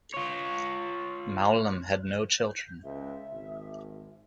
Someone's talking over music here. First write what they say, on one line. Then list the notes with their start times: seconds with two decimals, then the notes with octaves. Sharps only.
Mowlam had no children.
0.14 F4 C#5
2.84 C#2 E5
3.32 G#1